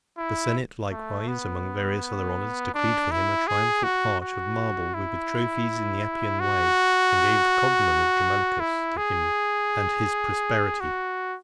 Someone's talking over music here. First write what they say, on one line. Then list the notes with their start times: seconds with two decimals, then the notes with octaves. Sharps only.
The senate likewise, among various other honours, decreed for him a triumphal arch of marble, with trophies, in the Appian Way, and gave the cognomen of Germanicus to him and his posterity.
0.18 E4
0.91 A3
1.28 B3
2.74 D4
3.11 E4
3.47 G#4
3.84 F#4
4.21 F#4
4.94 E4
6.40 F#4
8.60 E4
8.97 G#4
10.80 F#4